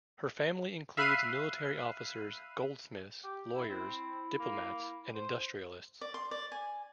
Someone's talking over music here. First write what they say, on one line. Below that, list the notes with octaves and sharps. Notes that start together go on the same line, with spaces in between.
Her family includes military officers, goldsmiths, lawyers, diplomats and industrialists.
E5 F5 B5 F#6 C7 D#7
G4
E4
C4 E4
A#3
C5
D5
C6
D5
G#5